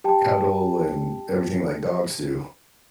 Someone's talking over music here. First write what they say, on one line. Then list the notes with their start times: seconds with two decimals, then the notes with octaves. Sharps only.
cuddle, and everything like dogs do.
0.04 G4 G5 A5